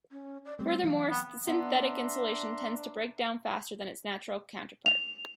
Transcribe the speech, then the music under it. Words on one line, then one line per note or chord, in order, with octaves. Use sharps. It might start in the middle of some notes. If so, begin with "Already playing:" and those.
Furthermore, synthetic insulation tends to break down faster than its natural counterpart.
C#4
D5
G3 A3 C4
E3 F#3 F5
B3 G5
B3 D4 E5 A#5 C6
F7